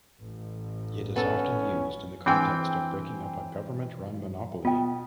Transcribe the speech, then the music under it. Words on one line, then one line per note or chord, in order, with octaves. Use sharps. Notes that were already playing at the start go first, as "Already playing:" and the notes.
It is often used in the context of breaking up a government-run monopoly.
A1
B3 C#4 A4
E3 C4 D4 G#4 C5 G5 G#5
B2 B3 F4 G5